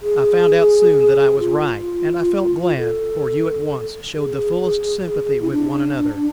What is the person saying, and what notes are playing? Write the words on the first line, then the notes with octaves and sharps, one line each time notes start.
I found out soon that I was right, and I felt glad, for you at once showed the fullest sympathy with one another.
G#4
F4
A4
G#4
E4
D4